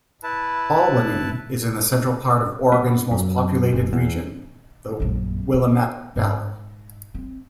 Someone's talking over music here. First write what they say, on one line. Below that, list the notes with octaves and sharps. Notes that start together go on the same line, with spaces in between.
Albany is in the central part of Oregon's most populated region, the Willamette Valley.
E4 B4 A5
B3
F#2
F#1
E2
A#1 F#2
B3
G#2
C4